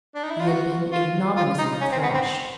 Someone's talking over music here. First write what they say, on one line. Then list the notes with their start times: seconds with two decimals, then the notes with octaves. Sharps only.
He had been ignominiously thrashed!
0.15 D4
0.23 D#4
0.31 E4
0.40 F4
0.48 F#4
0.92 F4
1.37 F4
1.59 D#4
1.81 C#4
1.92 C4
2.03 B3
2.14 C4